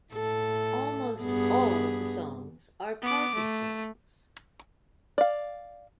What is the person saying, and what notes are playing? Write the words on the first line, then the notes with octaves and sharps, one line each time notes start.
Almost all of the songs are party songs.
A2 A4
G2 B3 G#4
B3 D6
A3
D5 F5